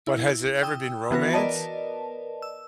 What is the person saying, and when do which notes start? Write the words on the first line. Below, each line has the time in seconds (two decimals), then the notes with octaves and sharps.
but has there ever been romance?
0.07 E4
0.63 G5 D#6 E6
1.11 E3 B3 F#4 B4 A#6
1.33 A#4 B4 D5 D#5 A5
2.42 E6